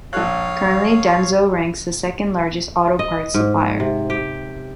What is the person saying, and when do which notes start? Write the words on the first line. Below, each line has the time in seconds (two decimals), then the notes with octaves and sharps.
Currently, Denso ranks the second largest auto parts supplier.
0.13 A#1 A4 C#5 F5 F#6
2.99 D#5
3.34 G#2
3.80 C3
4.10 G4